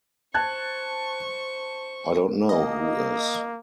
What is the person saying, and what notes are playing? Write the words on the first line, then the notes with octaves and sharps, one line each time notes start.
I don't know who is.
C5 A5 C#6 F#6 G#6
A#3 D#5